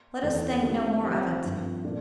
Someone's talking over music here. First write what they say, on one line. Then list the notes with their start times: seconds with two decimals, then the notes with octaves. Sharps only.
Let us think no more of it.
0.22 E2 E3 A3
0.62 D3 A3 C4 G4 A#4
1.02 F3 C4 G4 A#4
1.43 G2 D3 F3 C4 F4
1.84 A#2 A3 D4 F4 A#4